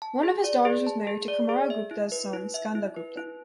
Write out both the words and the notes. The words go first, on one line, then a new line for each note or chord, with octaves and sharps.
One of his daughters was married to Kumara Gupta's son Skanda Gupta.
A5
G#4
D5
G#4
A5
G#4
D5
G#4
E5
E4
B4
E4
E5
E4
B4
E4